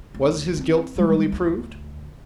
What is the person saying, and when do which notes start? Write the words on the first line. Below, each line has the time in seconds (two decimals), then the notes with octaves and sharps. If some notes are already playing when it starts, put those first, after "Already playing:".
Was his guilt thoroughly proved?
0.14 D2
0.57 C4 D4
0.96 G3 G#3
1.32 D2